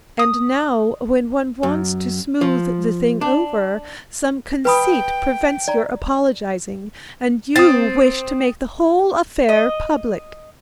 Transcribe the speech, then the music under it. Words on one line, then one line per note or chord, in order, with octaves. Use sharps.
And now, when one wants to smooth the thing over, some conceit prevents your apologizing, and you wish to make the whole affair public.
D#6
F#2
F3
D4
B4 G5 B5 D#6
D5 A#5
C4 D#6 A6
D#5